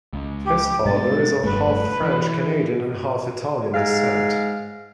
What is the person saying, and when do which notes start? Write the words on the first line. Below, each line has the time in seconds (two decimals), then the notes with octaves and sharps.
His father is of half French-Canadian and half Italian descent.
0.13 C#2
0.44 G4
0.86 G#2 B2 G3 A6
1.44 F1 G2 A3 B4
2.02 E3
3.75 G#2 F5